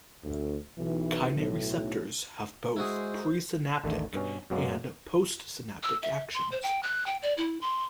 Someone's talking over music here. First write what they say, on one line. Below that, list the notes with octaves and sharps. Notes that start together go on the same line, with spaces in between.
Kainate receptors have both presynaptic and postsynaptic actions.
D2
B1 E3
B1 A2
G#3 E4 F#4 G#4 C5
A1 D#2 D3 D#3 A3
G2 B2 C#4
F#2 B2 F#3 G#3 A#3
E6
E5
C6
C5
G5
F#6
G5
D5
E4
C6